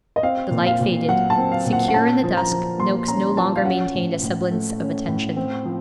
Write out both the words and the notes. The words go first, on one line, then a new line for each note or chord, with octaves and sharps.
The light faded. Secure in the dusk, Noakes no longer maintained a semblance of attention.
D#5
C4 F5
A#2
F5
A#2
F#3 F#5
A5
C4
F5
A#2
F#5
F#5
C#4 A5
F3
A#5
F3
A#3 C6
C#4 A#5
F3 A5
F5
C#4 F#5
A2
A2
A3
C#4
A2
C4
F3